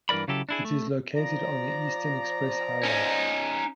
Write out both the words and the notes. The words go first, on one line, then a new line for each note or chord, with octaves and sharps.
It is located on the Eastern Express Highway.
G2 E3 A#4 D5 B5
C#3 F#3 E4 G4 A4
D4 E4 G#4
A3
F3 D5 A#5
C#4 D#4